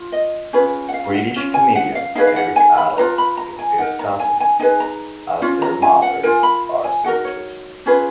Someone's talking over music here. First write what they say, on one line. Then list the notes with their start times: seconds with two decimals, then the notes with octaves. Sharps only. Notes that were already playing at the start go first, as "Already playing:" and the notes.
British comedian Eric Idle is his cousin, as their mothers are sisters.
Already playing: F4
0.12 D#5
0.53 C#4 F4 G#4 B4
0.88 F#5
0.94 F5
1.14 F#5
1.35 C#4 F4
1.54 G#5
1.75 F#5
1.95 F5
2.15 D#4 G#4 B4 F5
2.27 F5
2.36 F#5
2.56 G#5
2.77 B5
2.97 F4 G#4 B4 A#5
3.18 B5
3.37 A#5
3.59 G#5
3.78 D#4 A#4 F#5
3.99 A#5
4.20 G#5
4.40 G#5
4.59 D#4 G#4 B4 G#5
4.80 A#5
5.42 C#4 F4
5.62 A#5
5.82 G#5
6.02 F#5
6.23 F4 A#4 G#5
6.43 B5
6.84 G#5
7.04 D#4 F#4 A#4 F#5
7.25 C#5
7.86 C#4 F4 G#4 B4